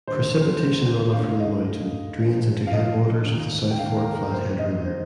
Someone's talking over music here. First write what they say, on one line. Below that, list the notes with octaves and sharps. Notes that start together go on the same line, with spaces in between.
Precipitation runoff from the mountain drains into headwaters of the South Fork Flathead River.
D#2 D3 G3 A#3 C5
D#2 D3 G3 A#3
D2 D3 A3 F5
D#5
D2 D3 A3
G2 F3 A3
F5
G2 F3 A3 D#5
D#2 D#3 A#3
G5
D#2 D#3 A#3 F5
A#4
A#4
F2 D#3 A#3 C5
D#5
D#3 A#3 C5